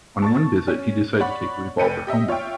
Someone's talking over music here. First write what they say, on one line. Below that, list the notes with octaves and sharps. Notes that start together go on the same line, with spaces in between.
On one visit he decided to take the revolver home with him.
A5 C#6 A6
C#4
C#5 D5 F#5 B5 C#6
F1 B4 G5 G6 C#7 D#7
G4 D#5 E5
F4 C#5 E5 G5